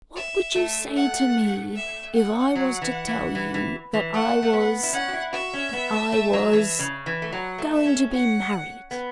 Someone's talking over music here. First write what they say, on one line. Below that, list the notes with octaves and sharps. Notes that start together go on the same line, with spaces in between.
'What would you say to me, if I was to tell you that I was--that I was--going to be married?'
E5
A3
F#5
E5
F#5
F#3
E3
E3
E3
E3
E3
A3 F#5
A3
B3
E4
C#4 F#5
F#4
E4
F#4 E5
C#4
B3
A3
A3
F#3
E3
C#3
E3
A3
F#3 F#5
A3
E5
C#4
F#5
B3